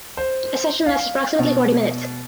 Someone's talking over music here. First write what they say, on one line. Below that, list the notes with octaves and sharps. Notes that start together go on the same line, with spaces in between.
A session lasts approximately forty minutes.
C5
F5
B2